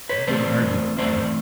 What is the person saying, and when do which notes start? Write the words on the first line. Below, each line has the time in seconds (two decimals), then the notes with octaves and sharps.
I didn't argue the matter.
0.09 B4 C#5
0.27 E3 A3 C4 C5 D5
0.98 E3 A3 C4 C5 D5